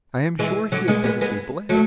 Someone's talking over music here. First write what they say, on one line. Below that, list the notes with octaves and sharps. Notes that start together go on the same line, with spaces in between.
I am sure he had better be bled.
E3 G#3
D3 F#3
G#3 B3
G#3 B3
G#3 B3
F#3 A3